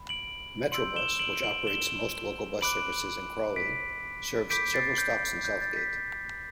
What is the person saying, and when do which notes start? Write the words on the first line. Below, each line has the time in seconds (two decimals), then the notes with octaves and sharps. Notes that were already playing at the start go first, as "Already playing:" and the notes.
Metrobus, which operates most local bus services in Crawley, serves several stops in Southgate.
Already playing: B5
0.09 D7 F#7
0.72 C6 E6 G6 D7 F#7
0.96 E7 G7
1.19 D7 F#7
1.43 D7 F#7
1.67 E7 G7
2.61 B5 D6 F#6 D7 F#7
3.56 B6 D7
4.50 B5 D6 G6 B6 D7
4.74 A6 C7
4.98 G6
5.45 G6
5.61 A6
5.76 G6 B6